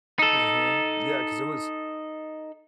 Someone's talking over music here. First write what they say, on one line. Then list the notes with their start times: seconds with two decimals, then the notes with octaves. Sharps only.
Mhm. Yeah, 'cause they was
0.19 D#4 A4